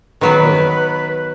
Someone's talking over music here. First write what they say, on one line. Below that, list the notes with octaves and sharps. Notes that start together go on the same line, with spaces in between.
Oh, yeah.
D#3 F#3 B3 B4